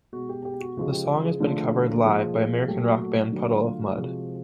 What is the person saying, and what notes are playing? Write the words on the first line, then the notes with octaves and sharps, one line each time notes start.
The song has been covered live by American rock band Puddle of Mudd.
B2 G#3 F#4
G4
G4
F#4
C#3 F3 G#3 F#4
G4
G#4
G#4
D3 F3 A3
A#2 F3 G#3
A#2 F#3 A3 G4
F#4
F#4
F#4
D3 F#3 A3 F#4
F4
F4
F#4
C3 F3 G#3